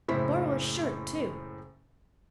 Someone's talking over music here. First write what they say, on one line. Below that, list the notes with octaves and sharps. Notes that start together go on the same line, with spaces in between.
"Borrow a shirt, too."
F#1 A2 E4 C5 B6